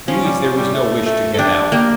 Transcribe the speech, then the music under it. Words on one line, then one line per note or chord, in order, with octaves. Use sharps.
These there was no wish to get out.
F3 C#4
G3
F3
G3
A3
A3
A4
D4 G4
A#3 G4